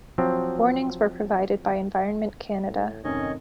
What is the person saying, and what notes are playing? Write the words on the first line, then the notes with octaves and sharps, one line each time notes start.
Warnings were provided by Environment Canada.
F3 F#3 C4
A2
F1 G#2 C3 D#3 C#4 C#5 D#5